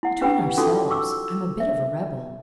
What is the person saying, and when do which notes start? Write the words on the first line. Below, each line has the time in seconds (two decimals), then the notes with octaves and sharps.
Between ourselves, I am a bit of a rebel.'
0.03 E4 F#5
0.21 C#4 G4 B4 F#5 G5 B5
0.57 C#4 D#4 F4 F#4 A4 D6
0.90 C#6 D6 E6
1.60 E5